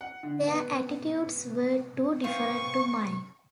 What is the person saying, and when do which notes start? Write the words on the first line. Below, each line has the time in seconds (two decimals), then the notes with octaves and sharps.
Their attitudes were too different to mine.
0.01 F#5
0.23 D3
0.48 B3
2.24 B3 C4 F4 C#6